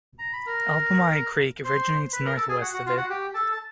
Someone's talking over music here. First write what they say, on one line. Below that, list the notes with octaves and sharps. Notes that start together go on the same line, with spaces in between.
Alpamayo Creek originates northwest of it.
A#5
B5
A#4 A#5
C5 C6
B4 B5
A#4 A#5
A4 A5
G#4 G#5
F#4 F#5
F#4 F#5
F4 F5
F#4 F#5
G4 G5
A4 A5
A5